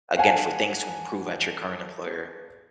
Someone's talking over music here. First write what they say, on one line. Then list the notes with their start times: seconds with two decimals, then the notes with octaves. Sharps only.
again, for things to improve at your current employer,
0.17 F5 F#5 G#5 A5